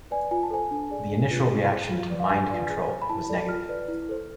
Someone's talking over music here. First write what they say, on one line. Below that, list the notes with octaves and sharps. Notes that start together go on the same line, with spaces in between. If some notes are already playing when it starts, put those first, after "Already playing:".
The initial reaction to "Mind Control" was negative.
B4 D5 G#5
F4 G#5
A5
A4 C5 G#5
D4
G#4 D5
D4
F4 G#4 B4
E4
G#4 C5
F4
B4 D5
F5
D4 G#5
F4 B4 D5
G#4
C5
B5
E4 A5
A4 D5
F4 F6
B4 D5
E4
A4 C5